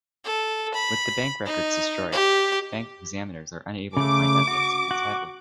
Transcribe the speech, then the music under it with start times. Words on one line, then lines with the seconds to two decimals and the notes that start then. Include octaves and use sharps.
With the bank records destroyed, bank examiners are unable to find evidence against Hadley.
0.25 A4
0.74 B5
1.46 D#4
2.12 G4
3.97 C#3 A3 D6
4.48 F#4
4.91 F#4